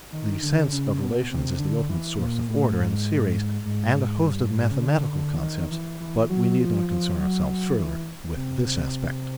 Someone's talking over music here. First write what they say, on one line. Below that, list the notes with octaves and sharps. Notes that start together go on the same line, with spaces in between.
The 'sense' of relations is the ultimate source of order and series and a host of mathematical concepts; but we need not concern ourselves further with this aspect.
D#3
D3
C#3
B2
C3
D3
E3
A#2
A2
G#2
G#2
G#2
G2
G#2
C#3
D3
D3
E3
D#3
E3
E3
F#3
F3
F3
F#3
F#3
E3
C3
C3